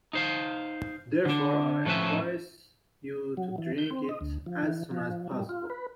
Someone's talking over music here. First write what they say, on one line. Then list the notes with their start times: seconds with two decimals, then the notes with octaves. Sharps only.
Therefore I advise you to drink it as soon as possible.
0.13 D#4 C5 F5
1.25 D3 D4
1.85 A2 F3 C#4 B4 E5
3.37 F#3
3.58 E3
3.78 G6
3.91 C4
4.09 D#5
4.21 D2
4.46 F3
4.63 E3
4.91 F3
5.31 G3
5.49 F4
5.70 B4